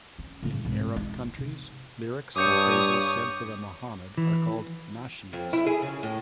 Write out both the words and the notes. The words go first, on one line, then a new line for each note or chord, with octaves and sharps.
In Arab countries, lyrics and praises said for the Muhammad are called Nasheeds.
C#4
A2 C#3
C2 G#2
D4 D#4
C3
G2 C#5 D6 D#6 G6 C#7
E3
F2
E4
G#4
C#3
A2